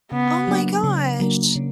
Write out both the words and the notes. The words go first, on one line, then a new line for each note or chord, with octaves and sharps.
Oh my gosh.
C#3 B3
F#3 A#3 D4
C#3
F#3 A#3 D4
C#3